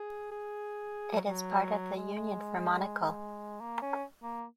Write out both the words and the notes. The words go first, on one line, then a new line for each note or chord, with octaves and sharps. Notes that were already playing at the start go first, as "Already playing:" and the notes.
It is part of the Union for Monaco.
Already playing: G#4
G#4
F#3
F#3
G#3
A#3
C#4
A#3